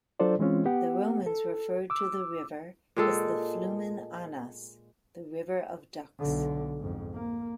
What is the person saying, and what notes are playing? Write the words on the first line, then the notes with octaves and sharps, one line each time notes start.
The Romans referred to the river as the Flumen Anas, the "river of ducks".
F#3 D4 F4 A4 C5 D5
E3 G#3 C4 C#4 F4
B3 G4 F#5
A4
D6 E6
A#2 G#3 A4 G5
B1 D3
F2 G#2
A#3